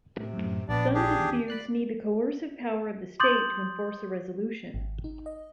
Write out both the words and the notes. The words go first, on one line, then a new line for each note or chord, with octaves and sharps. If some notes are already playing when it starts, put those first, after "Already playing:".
Some disputes need the coercive power of the state to enforce a resolution.
A2 C3
F#2 A2
A#1 B3 D4 D5 A5 B5
D4 G4 G#4
E2 D3 D#3
D5 B5 F#6 C7
C6 D6 D#6 G6 A6 F#7
G#1
D#4
D#5